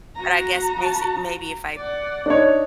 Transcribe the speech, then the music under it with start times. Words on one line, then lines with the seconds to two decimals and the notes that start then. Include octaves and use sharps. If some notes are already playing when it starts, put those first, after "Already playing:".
but I guess macy maybe if I
0.15 F#4 A#5
1.77 D5 F#5
2.26 D4 D#4 C#5